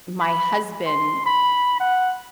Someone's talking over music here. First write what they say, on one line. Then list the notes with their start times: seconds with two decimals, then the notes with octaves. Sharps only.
my husband
0.21 B5
0.86 C6
1.26 B5
1.80 F#5